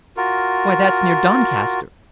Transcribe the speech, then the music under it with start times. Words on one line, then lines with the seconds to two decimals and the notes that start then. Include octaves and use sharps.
"Why, that's near Doncaster."
0.17 F4 F#4 A#4